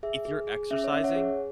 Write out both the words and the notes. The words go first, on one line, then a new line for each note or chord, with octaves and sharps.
if you're exercising,
G#4 E5
G#4
G#4
C#4 E5
C#5
C#4 E5
C#5 F#5
G#4